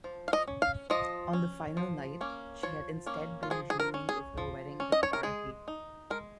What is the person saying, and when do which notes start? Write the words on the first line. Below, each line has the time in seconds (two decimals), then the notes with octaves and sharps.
On the final night, she had instead been dreaming of her wedding with Barty.
0.04 F3
0.28 F5
0.33 D#5
0.47 C#4
0.62 F5
0.90 F3 D#5
1.33 C#4
1.77 F3
2.21 A#3 C#4
2.63 F3 C#5
3.06 A#3 C#4
3.43 F4
3.50 F3 G#4
3.70 G#4
3.80 A#4
3.94 C#4
4.09 G#4
4.38 F3
4.80 C#4
4.92 D#5
5.03 C#5
5.13 A#4
5.23 G#3 G#4
5.68 D#4
6.10 G#3 A#4